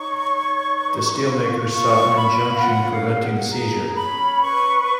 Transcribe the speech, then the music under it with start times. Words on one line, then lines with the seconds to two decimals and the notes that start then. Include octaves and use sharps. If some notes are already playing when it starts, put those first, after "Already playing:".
The steelmakers sought an injunction preventing the seizure.
Already playing: D#4 C#5 C#6
0.34 D#4
0.80 B4
1.24 F4
1.70 F4 C#6
2.15 F4 B5
2.60 C#4 F#5
2.90 F5
3.05 G#4
3.21 F#5
3.51 G#4 A#5
3.96 C#4 B5
4.42 B4 C#6